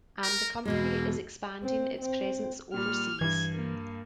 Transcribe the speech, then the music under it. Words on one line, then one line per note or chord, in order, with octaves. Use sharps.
And the company is expanding its presence overseas.
A#4
E2 B2 G#3 A#3
C4
C4
A#2 G3 F6
G2 E3 G#6
A#3